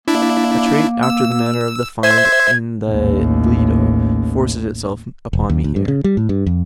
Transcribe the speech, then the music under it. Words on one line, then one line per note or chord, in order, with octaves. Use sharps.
A trait, after the manner of the find in the Lido, forces itself upon me here.
A#3 D4 E4
E6
C5 E5 G#6
A1 D#2
E1
D#2
D2
G2
C#3
G3
A2
G2
F2